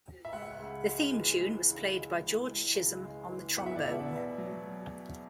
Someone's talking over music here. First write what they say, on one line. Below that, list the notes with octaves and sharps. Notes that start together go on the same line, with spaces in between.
The theme tune was played by George Chisholm on the trombone.
E5
C#2 F#5
C#3
G#3
E3
C#2
C#3
G#3
E3
C#2
C#3
G#3
E3
E2 F#5
E5
D5
B2 E5
B3
F#3